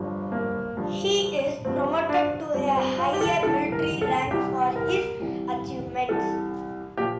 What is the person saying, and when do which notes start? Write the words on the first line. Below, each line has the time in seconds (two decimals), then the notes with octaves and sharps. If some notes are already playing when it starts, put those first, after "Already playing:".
He is promoted to a higher military rank for his achievements.
Already playing: G1 G2 F3
0.32 A#3
0.76 G1 G2 F3
1.65 G1 G2 F3 C4
2.09 D4
2.54 G1 G2 F3 C4
2.77 C4
2.98 F4
3.13 G4
3.21 A4
3.42 C2 C3 E3 A4
3.72 A#4
4.01 A4
4.31 C2 C3 E3 G4
4.76 A#4
5.20 C2 C3 E3
6.09 C2 C3 E3 A4
6.97 A#2 F3 G4